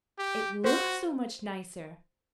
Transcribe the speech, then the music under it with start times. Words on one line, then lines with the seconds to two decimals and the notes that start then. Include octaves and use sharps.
It LOOKS so much nicer.
0.19 G4
0.64 F#4 C5